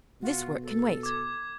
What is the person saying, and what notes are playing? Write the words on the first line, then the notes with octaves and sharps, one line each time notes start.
'This work can wait.
B2 F4 F#4
A4
D6 G#6